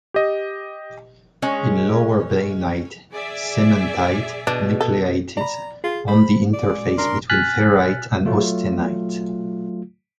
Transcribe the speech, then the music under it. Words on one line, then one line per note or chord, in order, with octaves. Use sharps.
In lower bainite, cementite nucleates on the interface between ferrite and austenite.
G4 D#5
G#3 C#4
G#4 D5 E5
B2 D4
A4
D5 A#5 B5
F4 G#4
A4 C5 B5
D5
A#2 G#3
C2 C#3 D4 A#4 C6
G#5 F6 F#6 A6 B6
F#3 A3 F4